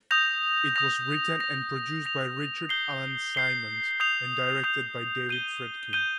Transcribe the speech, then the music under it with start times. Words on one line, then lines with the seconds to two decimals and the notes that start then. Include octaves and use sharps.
It was written and produced by Richard Alan Simmons and directed by David Friedkin.
0.11 D#6 G6 A#6 F7
0.76 D#6 G6 A#6 F7
1.40 A#6 F7
2.06 A#6 F7
2.69 G6 C7 G7
3.35 G6 C7 G7
4.00 D#6 G6 C7 F7
4.64 D#6 G6 C7 F7
5.29 G6 D#7 G7
5.93 G6 D#7 G7